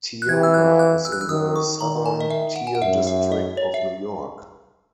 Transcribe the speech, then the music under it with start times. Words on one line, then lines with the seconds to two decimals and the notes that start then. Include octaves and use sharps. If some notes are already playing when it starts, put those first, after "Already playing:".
Tioga is in the Southern Tier District of New York.
0.22 F#6
0.29 E3 G#6
0.43 E6
0.54 F#6
0.79 F#6
1.05 E6
1.12 F#6
1.21 E6
1.29 D#3 D#6
1.56 C#6
1.80 D#3 A#5
2.06 G#5
2.20 D#5
2.30 E5
2.56 F#5
2.67 G#5
2.75 F#5
2.82 F#2 E5
3.07 E5
3.32 D#5
3.57 C#5
3.74 E5